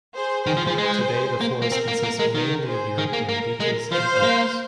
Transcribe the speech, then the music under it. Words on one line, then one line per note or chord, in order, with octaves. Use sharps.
Today the forest consists mainly of European beeches and oaks.
G#4 C5
D#3 G#4 C5
F3
F3
G#3
A#3
A#3
C4 A#4
A#3
A#3
G#3
D#3 A#4
G#4 C5
D#3 G#4
A#3
A#3 A#4
G#3
F3 C5 F5
A#3